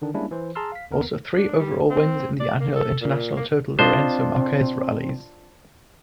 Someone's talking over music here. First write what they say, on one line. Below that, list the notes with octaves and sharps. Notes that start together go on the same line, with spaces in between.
Also three overall wins in the annual International Total Lourenco Marques Rallies.
D3 D#3 D4
G3 G#3 A#3 C#4 D4 E4
E3 C5
G#4 A5 A#5 C6 E6 F6
F5 B6
D#2 B3 A#4
D4
G3
C4
D5
A#3
A4
A#2
A#3
C4 D4 F4 C5 D#5